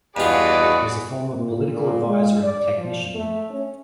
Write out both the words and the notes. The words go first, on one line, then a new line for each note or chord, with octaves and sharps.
He is a former political advisor and technician.
E2 G2 F4 F#4 G#4 B4 D5 D#5
A#2
A#2
G#3
D5
F3
A3
C#4